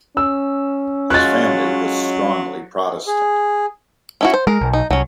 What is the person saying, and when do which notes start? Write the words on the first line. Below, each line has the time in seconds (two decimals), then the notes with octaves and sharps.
His family was strongly Protestant.
0.17 C#4 E6
1.10 F#3 G#3 F4 C#5 F#6 A6
3.07 G#4
4.21 C#4 E4 F#4
4.34 C5
4.47 G#3 A#4
4.61 B1
4.73 D#4
4.91 C2 F#3 C#4